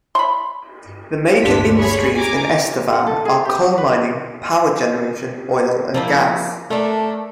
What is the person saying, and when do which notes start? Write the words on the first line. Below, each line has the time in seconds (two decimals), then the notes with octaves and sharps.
The major industries in Estevan are coal mining, power generation, oil and gas.
0.15 B5 C6
1.42 G1 D2 A#2 D4 C5 B6
1.77 G#4 C#5 B5 C#6
2.15 G#5 A#5 D6
2.93 F#5
3.07 A4
3.25 G#4
3.45 G4
3.63 F#4
3.78 B4
5.94 F3 A#3 E4
6.70 A3 D4 A#4